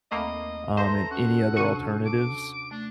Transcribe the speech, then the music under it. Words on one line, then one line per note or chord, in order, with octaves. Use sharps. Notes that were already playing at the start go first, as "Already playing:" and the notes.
um, and any other alternatives
D#2 A3 A#3 C4 D#5 B5
A4 B4 C5 E5 A#5
C#4 F#4 F#5
C3 D4 F#4 C#6 D#7
D6
A3 D4